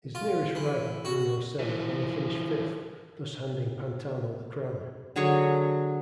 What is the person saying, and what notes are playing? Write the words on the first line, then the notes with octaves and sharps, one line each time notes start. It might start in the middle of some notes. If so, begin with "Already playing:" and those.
His nearest rival Bruno Senna only finished fifth, thus handing Pantano the crown.
F4
E3
F#4
E3 F3
D3 F#3 G#4 C#5